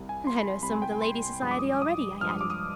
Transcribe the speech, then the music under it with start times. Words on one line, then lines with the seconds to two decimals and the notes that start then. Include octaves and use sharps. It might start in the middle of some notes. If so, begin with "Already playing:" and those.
"And I know some of the lady-society already," I added.
Already playing: C2 C3 G3
0.09 G#5
0.27 C6
0.36 B5
0.62 C2 C3 G3 B5
0.72 G#5
0.82 G5
0.92 G#5
1.02 C6
1.42 G2 F3 G#3 D#6
1.51 D6
1.59 D#6
1.82 D#6
2.21 G2 F3 G#3 F6
2.30 D#6
2.41 D6
2.50 D#6